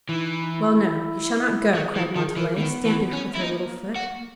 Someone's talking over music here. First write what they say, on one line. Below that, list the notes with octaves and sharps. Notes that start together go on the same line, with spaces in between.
"Well! no,--you shall not go!" cried Montalais, stamping with her little foot.
E3 D#4
D#4
E4
F#3 G#4
E3
D#3 A#4
G#4
E3 A#4
D#3 B3
E3
C#4
G#3 E4
A#3 D#4
A#3
F#4
A#3